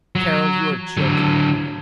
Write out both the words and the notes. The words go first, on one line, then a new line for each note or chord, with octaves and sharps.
"Carol, you are joking."
F#3
D3 F#3